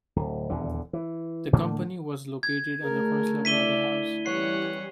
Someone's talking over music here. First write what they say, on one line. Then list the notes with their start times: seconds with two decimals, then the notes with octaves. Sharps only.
The company was located on the first level of the house.
0.16 D1
0.50 D#1 E2 D3
0.93 E3
1.53 A2 D3 A3 A#3
2.43 G#6
2.83 D3 A3 G#4 A#4
3.45 E4 D5 E5 B6 D#7 G7
4.26 E3 G3 C#4 C#5 F#5 C7